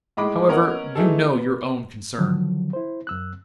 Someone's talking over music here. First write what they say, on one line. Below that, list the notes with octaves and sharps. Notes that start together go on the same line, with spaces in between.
However, you know your own concern.
A2 G#3 D#5 B5 D6
B3 C#4 A#4 D#5 F#5
E3 A3 D#4 G#4 A4
B3
D3 D#3 F3 F#3
E4 C5
F#2 E6 F#6